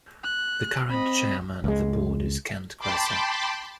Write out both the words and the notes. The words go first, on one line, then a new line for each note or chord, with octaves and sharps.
The current Chairman of the Board is Kent Kresa.
F#6
C4 D#5 B5
C#2 G#3
G5 A5 B5 C6 D6